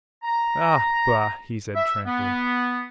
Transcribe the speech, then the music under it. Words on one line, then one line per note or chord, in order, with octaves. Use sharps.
"Ah, bah!" he said tranquilly.
A#5
E5
B3